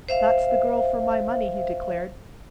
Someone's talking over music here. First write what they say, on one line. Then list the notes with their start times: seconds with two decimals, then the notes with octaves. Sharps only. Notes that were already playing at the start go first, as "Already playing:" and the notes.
"That's the girl for my money," he declared.
0.09 C5 E5 F5